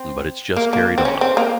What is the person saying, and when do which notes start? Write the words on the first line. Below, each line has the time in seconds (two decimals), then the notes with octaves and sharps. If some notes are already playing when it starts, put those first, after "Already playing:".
But it's just carried on.
Already playing: C4
0.56 A#3
0.73 A#3
0.98 C4
1.05 C#4
1.21 C4
1.37 A#3